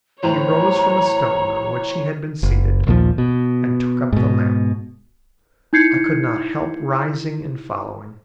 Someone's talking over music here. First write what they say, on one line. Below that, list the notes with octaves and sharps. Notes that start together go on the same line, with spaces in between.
He rose from a stone on which he had been seated, and took up the lamp. I could not help rising and following.
A2 E3 C5 C#5 A#5
F#1
A#1 D#2 A#2 F3
B2
G#2 B2
D#4 E4 G6 G#6 C7 C#7